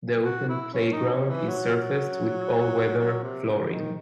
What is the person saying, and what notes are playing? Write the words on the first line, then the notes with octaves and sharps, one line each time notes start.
The opened playground is surfaced with all weather flooring.
F#4
E4
C#4
D#4
C#4
E3
F#3
F#3
C3
C#3
E3
D#3